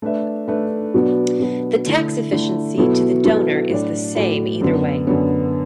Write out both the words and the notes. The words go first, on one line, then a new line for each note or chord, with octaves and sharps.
The tax efficiency to the donor is the same either way.
A3 D4 B4 E5
A3 D4 B4 E5
B2 F#3 B3 D4
B2 F#3 B3 D4
D3 A3 E4
D3 A3 E4
B2 F#3 B3 E4 A4
B2 F#3 B3 E4 A4
A2 F#3 D4 A4 D5
A2 F#3 D4 A4 D5
F#2 D3 B3
F#2 D3 B3